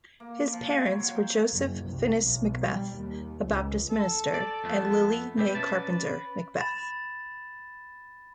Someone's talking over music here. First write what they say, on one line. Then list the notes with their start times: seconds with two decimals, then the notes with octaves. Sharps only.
His parents were Joseph Phinis McBeth, a Baptist minister, and Lillie May Carpenter McBeth.
0.20 A#3
0.53 F3
0.67 C3
0.87 C#5
1.00 F#3
1.15 G5
1.54 F#1
1.85 C2
2.26 B1
2.63 G3
2.96 D#2
3.44 C#2
3.90 A4
4.34 D5
4.64 F2 A3 B3
5.38 B2 G4 B4 E5
5.55 C#4 D5 A5
6.58 B5 A6 E7